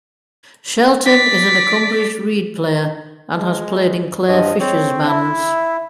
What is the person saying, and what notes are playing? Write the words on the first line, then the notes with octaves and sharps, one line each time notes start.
Shelton is an accomplished reed player and has played in Clare Fischer's bands.
D5 B6
G#3
G2 F3 D#5
C4 C#5
E4 E5